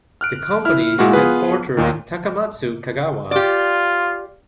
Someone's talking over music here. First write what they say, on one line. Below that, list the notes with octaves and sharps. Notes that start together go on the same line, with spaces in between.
The company is headquartered in Takamatsu, Kagawa.
F6 F#6 D7
E4 F6
A#2 G#3 E4 F#4
B3 F4 G#4 B4
D#2 A#2 D#3
F4 G4 D5